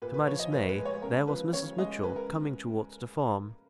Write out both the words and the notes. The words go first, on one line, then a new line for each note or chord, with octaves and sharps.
To my dismay, there was Mrs. Mitchell coming towards the farm.
A#2 B4
B4
F3 C#5
D#5
A#2 B4
B4
G#3
C#5
C#3 A#4
F3 B4
C#3 C#5
G#3 D#5
C#3 B4
A#4